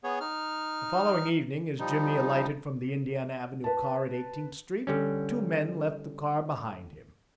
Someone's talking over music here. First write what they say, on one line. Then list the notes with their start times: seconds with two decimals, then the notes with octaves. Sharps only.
The following evening as Jimmy alighted from the Indiana Avenue car at Eighteenth Street, two men left the car behind him.
0.04 B3 G#4 C#5
0.21 D#4 F6
1.79 F3 G3 D#4
3.64 B4 A5
4.87 D3 G3 C#4